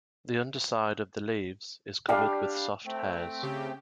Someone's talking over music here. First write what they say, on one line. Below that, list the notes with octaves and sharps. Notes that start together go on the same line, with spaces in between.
The underside of the leaves is covered with soft hairs.
G3 D4 G4 F5
A3 C4 G5
C#3 G4